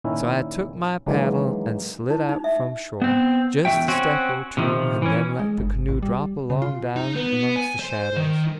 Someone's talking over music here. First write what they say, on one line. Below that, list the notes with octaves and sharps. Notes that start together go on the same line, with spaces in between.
So I took my paddle and slid out from shore just a step or two, and then let the canoe drop along down amongst the shadows.
A#2 D#3 C#4 E4 A#4
D#3 E3 F#3 G#3 A#3 D4
E4
D#4
E5
B3 C4
E2 C4 F#4 E5 G5
C4 C#4 F#4
C3 D#3 F3
E3 C#4
G#3
G1
A1
G3
C#3
F4
D#4
B3
G#5
C5
D#3